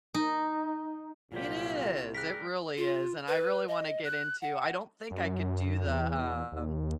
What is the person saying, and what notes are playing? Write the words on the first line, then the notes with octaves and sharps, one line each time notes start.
It is. It really is, and I really wanna get into I don't think I could do the, um,
D#4
C2 A#2 F#3 F4 G4
G3 G#4 A#4 F#6 B6
F4
B4
D#5
F#6
F#5
F#2
E2
D#2